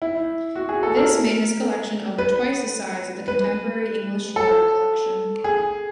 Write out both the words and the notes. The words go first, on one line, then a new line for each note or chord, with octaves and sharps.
This made his collection over twice the size of the contemporary English Royal collection.
E4
F#4
G#4
A4
A#4
B4
B4
A4
G#4